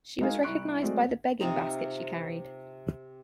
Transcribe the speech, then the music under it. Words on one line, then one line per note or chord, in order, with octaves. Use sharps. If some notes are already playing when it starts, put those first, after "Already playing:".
She was recognized by the begging basket she carried.
G#3 D#4 F#4 A#4 F5 G#5
C2 E4 C#6 F#6 D7
F#3 G#3 A3 C4 D5
C3 C4 D#4 F4